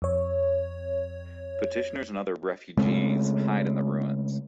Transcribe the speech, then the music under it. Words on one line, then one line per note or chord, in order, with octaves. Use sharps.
Petitioners and other refugees hide in the ruins.
F2 C#5
C#3 G#3 A3 C4